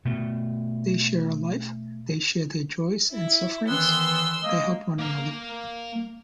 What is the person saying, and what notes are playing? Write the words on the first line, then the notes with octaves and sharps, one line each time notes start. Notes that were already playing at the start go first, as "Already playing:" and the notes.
They share a life, they share their joys and sufferings, they help one another.
B2 A3
E4
D#3 E3 B3 C6 E6
G#3 A#3 D#5
A#3 A#5